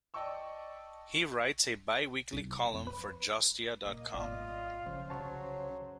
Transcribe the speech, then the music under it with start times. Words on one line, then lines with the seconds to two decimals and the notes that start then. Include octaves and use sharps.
He writes a biweekly column for justia dot com.
0.14 D5 D#5 G5 A5 C#6 E6
2.33 C2
2.74 F2
2.87 B4
3.86 A#2 A#3 D#5
4.14 G#1 B2 F4 D5
4.86 C#3 F3 C5
5.10 C2 F#3 C#5 A5